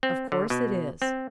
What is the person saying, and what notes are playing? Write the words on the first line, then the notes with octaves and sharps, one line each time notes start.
"Of course it is."
C4
D3
B2
C4